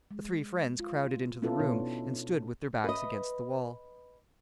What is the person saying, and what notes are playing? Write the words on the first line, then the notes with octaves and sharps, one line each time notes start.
The three friends crowded into the room and stood with their backs against the wall.
G#3
F4
B3 C#4 E4 F4 A4 B4
B2 B3 D4 C#5
D#4
B4 D#5